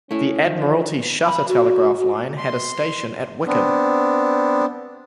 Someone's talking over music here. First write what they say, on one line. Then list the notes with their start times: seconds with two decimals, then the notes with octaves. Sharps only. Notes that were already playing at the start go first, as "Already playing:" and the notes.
The Admiralty Shutter Telegraph Line had a station at Wickham.
0.11 A3 C#4 E4
0.45 D#3 F3
1.25 B5
1.48 F#4
2.38 C6
3.47 B3 C4 D4